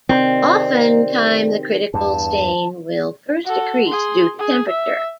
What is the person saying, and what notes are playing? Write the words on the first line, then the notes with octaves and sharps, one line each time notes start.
Often time the critical stain will first decrease due to temperature.
C3 D#3 C4 D5
E2 G2 A5
F#4 A4
G#4 C6
G#4
E5